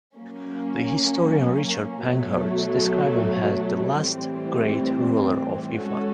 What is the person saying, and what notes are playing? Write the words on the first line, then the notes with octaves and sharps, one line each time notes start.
The historian Richard Pankhurst describes him as the last great ruler of Ifat.
F#3 A#3 C#4
B2 F#3 A3
A2 E3 G3 C4
G#3 C#4 F#4 A4